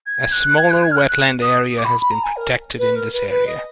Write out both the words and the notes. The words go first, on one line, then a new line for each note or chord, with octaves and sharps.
A smaller wetland area has been protected in this area.
G#6
F#6
G#6
F#6
G#6
F6
F#6
F#6
D#6
D6
B5
B5
A#5
G#5
A#4
B4
A#4
B4
B4
D#5